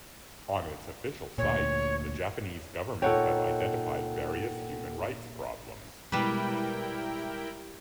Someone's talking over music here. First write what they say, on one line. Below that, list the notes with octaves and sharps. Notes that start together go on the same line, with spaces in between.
On its official site, the Japanese government has identified various human rights problems.
D2 A#2 C#5
A#2 D#4 A4 C#5 F#5 G5
B2 G3 G#3 E4 A#4 B4 G5 D6